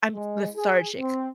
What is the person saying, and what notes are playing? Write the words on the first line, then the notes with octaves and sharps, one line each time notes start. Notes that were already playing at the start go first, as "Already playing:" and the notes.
I'm lethargic.
G#3
G#4
C4